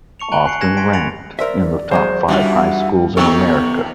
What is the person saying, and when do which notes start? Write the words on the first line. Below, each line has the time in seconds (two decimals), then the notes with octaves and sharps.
Often ranked in the top five high schools in America.
0.20 A5 C#6 C#7 F7
0.32 G#5 F#6 D7 F#7 G7
0.45 F#6 C7 C#7
0.60 G#5 F#6 G#6 A#6 E7
0.77 C6 G#6 B6 D7
0.93 B5 A6 C#7 D7 F7
1.39 A#4 C5 D5 E5
1.91 E2 F#3 G#3 C5
2.28 E3 G3 C#4 D4 F4 F#4 E5
3.17 C3 D#3 F3 B3 A4 G5 C#6